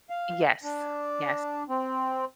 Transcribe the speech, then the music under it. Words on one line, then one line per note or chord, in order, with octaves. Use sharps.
Yes, yes.
F5
D4
C4